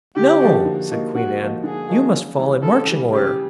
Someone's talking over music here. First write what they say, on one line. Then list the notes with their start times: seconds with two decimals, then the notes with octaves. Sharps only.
"No," said Queen Ann, "you must fall in marching order."
0.16 D3 G4
0.40 F3 A#3 D#4 F#4
0.65 D3
0.91 F3 A#3 D#4 F#4
1.15 D3 F#4
1.39 F3 A#3 D#4 F#4
1.64 D3 G#4
1.89 F3 A#3 D#4 F#4
2.14 C#3
2.38 E3 G3
2.62 C#3 A4
2.87 E3 G3
3.13 C#3 G4